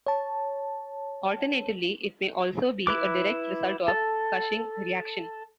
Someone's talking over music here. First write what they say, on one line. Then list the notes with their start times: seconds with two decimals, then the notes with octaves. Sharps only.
Alternatively, it may also be a direct result of Cushing reaction.
0.07 C#5 A5
2.87 E4 B4 D6
3.88 A4